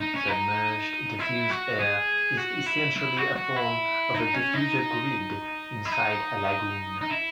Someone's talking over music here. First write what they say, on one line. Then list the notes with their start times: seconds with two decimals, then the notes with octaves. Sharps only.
Submerged diffused air is essentially a form of a diffuser grid inside a lagoon.
0.01 D#4
0.15 C#4
0.29 D#4
1.19 E4
1.50 F#4
1.79 G#4
2.37 F#4
2.66 E4
2.96 E4
3.17 F#4
3.36 F#4
3.56 E4
4.14 D#4
4.34 C#4
4.54 D#4
5.85 E4
5.92 D#4
7.01 D#4
7.10 E4